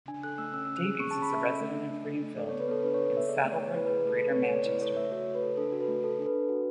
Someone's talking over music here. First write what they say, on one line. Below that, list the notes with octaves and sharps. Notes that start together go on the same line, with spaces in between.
Davies is a resident of Greenfield, in Saddleworth, Greater Manchester.
D4 G#5
A4 F#6
A3 E6
C#4 E6
E6
C#4
F#6
G#4
G#4 C#6
A5
C#4
B5
C#4 E5
A4
A3
A3
D4
A4
A3
A4 D5
C#5
B3
B4
B3 A4
D4 B4
C#5
A4
B3 E5
G#4 D5
A3
C#5
A3
E4 B4
B4
G#4
A3 A4
A4 B4
C#5
A3
C#5
A3 D5
E4 B4
A4 C#5
A3 E5
F#4 C#5
A3
B4
A4
D4 A4
F#4
B4
A3
A4
D4 A4
B4
D4
F#4